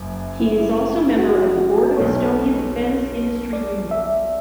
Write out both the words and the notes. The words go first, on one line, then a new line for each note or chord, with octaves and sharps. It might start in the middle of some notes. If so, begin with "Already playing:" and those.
He is also member of the Board of Estonian Defense Industry Union.
Already playing: F#1 F#2
E4
F#4
F#4
B1 B2 A3 C#5
D5
E5